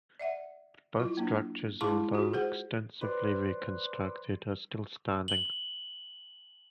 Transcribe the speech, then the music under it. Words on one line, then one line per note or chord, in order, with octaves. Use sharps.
Both structures, although extensively reconstructed, are still standing.
D5 E5 F#5
F#3 E4 F4
A#3 D4
G#3 E4 G#4 A5 C6 D6
F4 F#4 G#4
G#4 C5 F#5
B4 C5 D5
F#7 G7